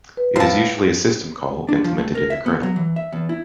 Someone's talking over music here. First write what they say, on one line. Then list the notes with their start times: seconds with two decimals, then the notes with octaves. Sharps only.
It is usually a system call, implemented in the kernel.
0.17 B4
0.36 A2 F4 C5 A5
1.69 D4
1.84 F3
1.99 A3
2.15 A#4
2.30 E5
2.46 B3
2.63 F#3
2.76 E3
2.96 E5
3.13 E2
3.29 E4